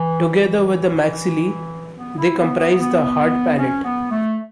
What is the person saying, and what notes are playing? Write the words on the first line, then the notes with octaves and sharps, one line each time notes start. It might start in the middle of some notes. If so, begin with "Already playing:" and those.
Together with the maxillae they comprise the hard palate.
Already playing: E3
E3
B3
E4
B3
B3
B3
C#4
B3
A3